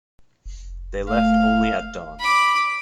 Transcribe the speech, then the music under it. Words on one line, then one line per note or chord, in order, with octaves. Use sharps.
They left only at dawn.
F1
A3 F5
B5 D6